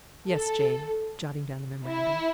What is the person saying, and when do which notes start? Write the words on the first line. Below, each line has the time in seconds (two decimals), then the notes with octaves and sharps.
"Yes, Jane," jotting down the memorandum.
0.30 A4
1.87 E4